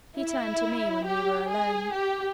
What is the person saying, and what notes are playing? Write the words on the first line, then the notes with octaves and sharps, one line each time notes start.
He turned to me when we were alone.
E4
G4
G#4
G4